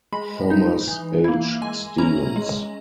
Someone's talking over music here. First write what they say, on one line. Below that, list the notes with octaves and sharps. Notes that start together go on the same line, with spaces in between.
Thomas H. Stevens.
G#3 B5
D#4
E3
A#3 E4
G#3 G#5
C#4 E4 A#5
G#3